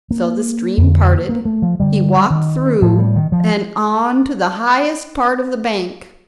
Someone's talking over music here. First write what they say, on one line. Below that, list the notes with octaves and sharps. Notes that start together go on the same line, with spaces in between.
So the stream parted; he walked through and on to the highest part of the bank.
A#3
F2 D3
A#3
A3
F3
G2 D3 G3
D#3
A2 F3
G3
D#3
F3